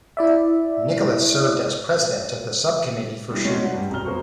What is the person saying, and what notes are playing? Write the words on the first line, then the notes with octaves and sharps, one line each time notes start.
Nicholas served as president of the Sub-Committee for Shooting.
E4 D5 E5
E3 G3
F3 G#3 A3 C4 C#4 F#4
D5 F#5
G2 G3
F1 B1 F#3 A#5 F6 G7
C2 B2 A#3 C5 C#6